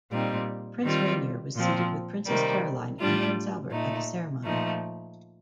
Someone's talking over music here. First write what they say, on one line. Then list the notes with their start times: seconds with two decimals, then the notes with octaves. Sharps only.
Prince Rainier was seated with Princess Caroline and Prince Albert at the ceremony.
0.11 A#2 G3 C4 D#4
0.82 D#3 G3 C4 F4
1.54 A#2 F3 C4
2.27 C3 D#3 G3 A#3
3.00 A2 G3 D4 F4
3.71 A#2 A3 D#4
4.42 A#2 F3 A3 D#4